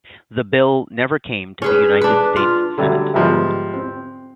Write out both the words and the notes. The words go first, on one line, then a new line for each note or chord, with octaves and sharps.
The bill never came to the United States Senate.
C#4 G#4 B4
D4 B4
F4
D3 F#3 G3 A3
G#2 F3 G3 B3 E4 G#4
C4